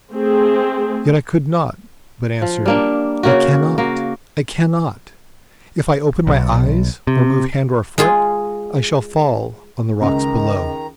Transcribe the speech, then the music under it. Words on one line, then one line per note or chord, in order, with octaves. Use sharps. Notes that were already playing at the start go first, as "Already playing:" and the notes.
Yet I could not, but answered: 'I cannot, I cannot; if I open my eyes, or move hand or foot, I shall fall on the rocks below.'
A3 C4 G#4
F3
G3 A#3 D4
C#3 A#3 F#4
A#3 F#4
B1
C3
G#3 F4 G#4
C#2 D#3 A#5